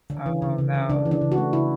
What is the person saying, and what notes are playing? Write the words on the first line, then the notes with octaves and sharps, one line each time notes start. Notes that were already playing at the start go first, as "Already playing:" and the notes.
Oh no,
D3
E3
C#3
C#3
C#3
C#3 D4
E3
D4
C#3
F#4
A3
C#3 E4